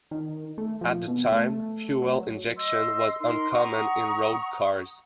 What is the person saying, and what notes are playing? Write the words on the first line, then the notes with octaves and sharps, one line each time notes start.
At the time, fuel injection was uncommon in road cars.
D#3
A3
F3
B2
A3
F#3
D#5 C6 E6
D#4 A#4 C6
F#5 A#5 C#6 D#6